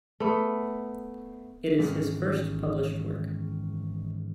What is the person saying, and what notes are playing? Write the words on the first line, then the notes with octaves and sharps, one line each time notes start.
It is his first published work.
A3 B3
E2 G#2 D#3 E3 G#3 C#4